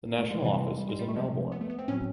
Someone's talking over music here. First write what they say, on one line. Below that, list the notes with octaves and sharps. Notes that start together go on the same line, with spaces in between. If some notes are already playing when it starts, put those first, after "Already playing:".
The national office is in Melbourne.
A3
G#3
C3 E3 G3
G#3
G3
G#3
G3
A3
C3 F3 G#3
B3
A3
B3
C4
A2 F#3 C#4